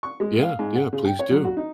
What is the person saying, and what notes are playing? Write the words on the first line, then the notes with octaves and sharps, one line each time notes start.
Yeah. Yeah. Please do.
C#6
G#3
F5
G#2
F#5
C#3
G5
C#5
F#3
F#4
D#4